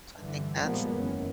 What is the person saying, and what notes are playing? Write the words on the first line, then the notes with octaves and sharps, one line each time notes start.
So, I think that's,
G2 D3 E3
A#2 F3 G3 G#3 A#3 B3
F#1 E2 D#3 E3 B3 C#4